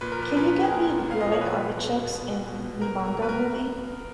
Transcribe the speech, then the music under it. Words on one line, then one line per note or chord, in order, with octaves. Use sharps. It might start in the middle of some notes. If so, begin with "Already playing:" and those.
Can you get me the Growing Artichokes in Mimongo movie?
A#2 B4
A#4
F3 B4
A#4
A#2 B4
A#2
G#4
A#2 A#4
A#2
A#2 F5
F3 D#5
C#5
B2 B4
B2
B2
B2
B2
B2
B2
B2
B2 A#4
B2
A#4
B2 B4
A#4
B2